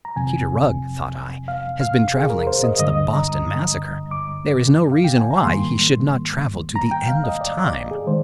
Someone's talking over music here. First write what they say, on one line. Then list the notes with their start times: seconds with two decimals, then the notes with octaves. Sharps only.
If Peter Rugg, thought I, has been travelling since the Boston Massacre, there is no reason why he should not travel to the end of time.
0.05 A#5
0.16 F2 C3 F3 C4 G#5
1.48 F5
1.81 F5
2.14 G#4
2.30 A#4
2.47 C5
2.64 D#5
2.79 G2 D3 G3 D#5
2.95 D#5
3.13 A#5
3.29 D#6
4.11 D6
4.92 F5
5.04 G5
5.18 G#5
5.31 A#5
5.43 G#2 D#3 G3 A#3 C6
6.76 A#5
6.91 G5
7.09 F5
7.24 D#5
7.41 D5
7.57 D5
7.91 G#4
8.07 D#3 G#3 C5